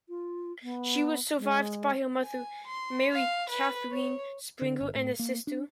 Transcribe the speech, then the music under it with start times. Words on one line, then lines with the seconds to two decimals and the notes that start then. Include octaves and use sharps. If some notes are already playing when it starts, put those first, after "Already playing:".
She was survived by her mother, Mary Cathryn Springer, and a sister.
0.09 F4
0.63 B3
1.39 G#3
2.23 G#5
2.67 C6
3.11 F5
3.49 B4
3.91 C#5
4.61 D3
4.81 G1
4.95 A2
5.19 A#3
5.47 D4